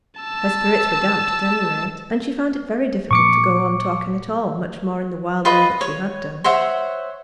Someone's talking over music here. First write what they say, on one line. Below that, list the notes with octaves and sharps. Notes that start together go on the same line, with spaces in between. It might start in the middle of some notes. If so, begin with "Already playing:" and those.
Her spirits were damped, at any rate, and she found it very difficult to go on talking at all, much more in the wild way that she had done.
A5 E6
A#2 F3 A#3 C#6 D6 C#7
F4 B4 D#5
C#5
C5 C#5 E5 F#5